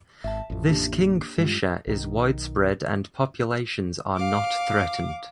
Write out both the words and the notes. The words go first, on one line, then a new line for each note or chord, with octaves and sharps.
This kingfisher is widespread and populations are not threatened.
G#1 E5 A5
A1 F2
A#3 D4 G4
G2 G#3 F4
B1 D#3
F5 D6